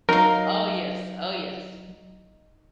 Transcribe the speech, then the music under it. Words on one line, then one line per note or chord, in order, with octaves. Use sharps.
Oh, yes. Oh, yes.
F#3 D#4 A#4 F5